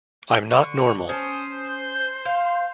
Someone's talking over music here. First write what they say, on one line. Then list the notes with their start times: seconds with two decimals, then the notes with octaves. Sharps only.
I'm not normal.
0.50 D3 C#6
1.09 C#4 C5 A5 D#6
1.69 G6
2.25 F5 G6